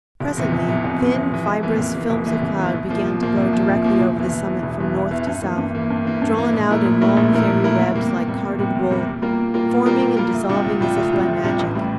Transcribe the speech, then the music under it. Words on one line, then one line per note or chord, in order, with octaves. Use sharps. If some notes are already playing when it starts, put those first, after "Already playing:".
Presently thin, fibrous films of cloud began to blow directly over the summit from north to south, drawn out in long fairy webs like carded wool, forming and dissolving as if by magic.
F1
E2 C3 E3
F1
E2 C3 E3
F1
E2 C3 E3
F1
E2 C3 E3
F1
E2 E3 A#3
F1
E2 E3 A#3
F1
E2 E3 A#3
F1
E2 E3 A#3
C2
A#2 F3 A#3
C2
A#2 F3 A#3
C2
A#2 F3 A#3
C2
A#2 F3 A#3
E1
E2 E3
E1
E2 E3
E1
E2 E3
E1
E2 E3
G2
E3 A#3
G2
E3 A#3
G2
E3 A#3
G2
E3 A#3
A#1
A#2 A3 E4 A#4
A#1
A#2 A3 E4 A#4
A#1
A#2 A3 E4 A#4
A#1
A#2 A3 E4 A#4
E2
C3 G3 A#3
E2
C3 G3 A#3
E2
C3 G3 A#3
E2
C3 G3 A#3
A#2
G3 A#3 F4 A#4
A#2
G3 A#3 F4 A#4
A#2
G3 A#3 F4 A#4
A#2
G3 A#3 F4 A#4
D2
C3 G3 D4 F4
D2
C3 G3 D4 F4
D2
C3 G3 D4 F4
D2
C3 G3 D4 F4
A1
A2 G3